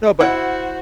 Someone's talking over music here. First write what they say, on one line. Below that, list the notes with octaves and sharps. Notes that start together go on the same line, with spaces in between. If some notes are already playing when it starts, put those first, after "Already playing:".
No. But
E4 F#4 C5 F#5